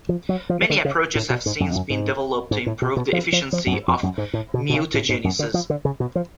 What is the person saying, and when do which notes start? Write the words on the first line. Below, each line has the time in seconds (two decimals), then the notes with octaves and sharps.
Many approaches have since been developed to improve the efficiency of mutagenesis.
0.09 F3
0.29 F#3
0.49 F3
0.62 F3
0.70 D3
0.85 C#3
1.15 A2
1.30 B2
1.46 G#2
1.60 F#2
1.70 F2
1.75 F#2
1.90 G#2
2.51 G#2
2.66 A2
2.82 B2
2.97 B2
3.13 F3
3.32 F3
3.53 F3
3.67 F#2
3.72 G#2
3.88 F2
4.03 F#2
4.18 G#2
4.33 A2
4.54 B2
4.70 B2
4.74 C#3
4.94 A2
5.09 G#2
5.24 F#2
5.39 D3
5.54 F3
5.70 D3
5.85 C#3
6.00 B2
6.15 F3